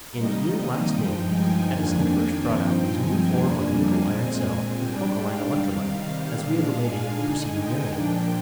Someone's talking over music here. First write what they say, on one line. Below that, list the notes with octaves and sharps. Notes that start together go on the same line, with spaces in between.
In the year last named Edison first brought out his new form of nickel-iron cell with alkaline electrolyte, as we have related in the preceding narrative.
C3 D#3 G3 A#3 D#4 D#5
G2 F3 G#3 D#4 G5
G#5
F2 D#3 A#3 D4
G5
G2 F3 C4 D#4
G#5
F2 C3 G3 A#3 D4
A#2 G#3 C4 G#5
G#2 G3 D4 G5
F5
C3 D#3 G3
F5
A#2 G#3 D4
G#5
D3 G#3 D#4
G5
A#2 F3 A#3 D4 G5